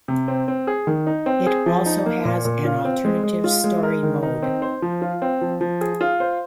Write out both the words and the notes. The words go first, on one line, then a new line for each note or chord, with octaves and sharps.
It also has an alternative "story mode".
C3
C4
C4
G#4
D#3
D#4
C4
G#4
F3
D#4
A#3
A#2
A#2
F4
C4
G#3
G#3
F4
G#3
A#4
D#3
D#4
C4
C5
F3
F4
C4
F3
F3
G#4
F4
C5